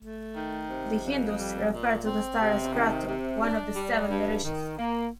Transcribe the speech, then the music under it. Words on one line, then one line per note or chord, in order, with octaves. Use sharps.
The Hindus refer to the star as "Kratu", one of the Seven Rishis.
A3
D#3
C3
F2
G3
A#2
C4
C3
D#3
C3
D4
G3
G2
D#3
A#3